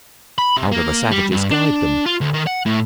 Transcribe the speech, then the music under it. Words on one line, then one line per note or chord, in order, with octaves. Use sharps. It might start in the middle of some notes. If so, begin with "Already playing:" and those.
How do the savages guide them?
B5
C3
A#3
G3
G2
D4
F4
D2
D#3
F#5
A2